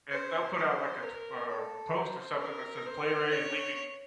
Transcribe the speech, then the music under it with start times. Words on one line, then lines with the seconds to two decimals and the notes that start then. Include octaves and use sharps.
and they'll put out, like, a, tw um, post or something that says "Player A is leaving”
0.11 C5
0.57 C5
1.03 A#4
1.49 A4
1.95 C5
2.41 A#4
2.86 C5
3.32 C#5